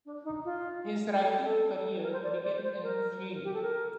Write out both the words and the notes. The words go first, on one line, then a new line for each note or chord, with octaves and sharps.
His writing career began in film.
D4
D#4
F4
A4
A4
A#4
C5
D5
C5
D5
C5
A#4
G4
A4
A#4